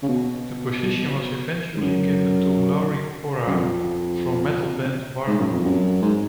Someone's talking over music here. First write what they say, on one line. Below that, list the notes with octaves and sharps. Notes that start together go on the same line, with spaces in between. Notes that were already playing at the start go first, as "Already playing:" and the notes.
The position was eventually given to Lauri Porra from metal band Warmen.
C#3
B2
G#2
F#2
F#2
F2
G#2
F#2
F2
F#2
G#2